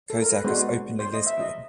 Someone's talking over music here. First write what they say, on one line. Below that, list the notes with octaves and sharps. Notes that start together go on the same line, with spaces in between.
Kozak is openly lesbian.
A4
A#4
B4
G#3 B3 D4 F#4 C5
C5
D#5
E5
D#5